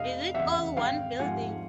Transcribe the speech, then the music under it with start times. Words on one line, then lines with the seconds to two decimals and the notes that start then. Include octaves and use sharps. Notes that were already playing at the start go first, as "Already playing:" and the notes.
Is it all one building?
Already playing: F1 D#5 F5
0.34 E2 C#3 E5 F#5
0.77 G#1 F5 G5
1.19 G#2 F3 F#5 G#5